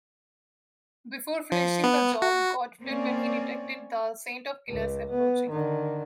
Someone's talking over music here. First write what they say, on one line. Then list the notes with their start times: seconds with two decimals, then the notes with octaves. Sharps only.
Before finishing the job, God fled when He detected the Saint of Killers approaching.
1.52 F3
1.84 B3
2.22 F#4
2.82 A#3 C4 C#4 D5
4.68 C#2
5.11 B3
5.50 D3 D#3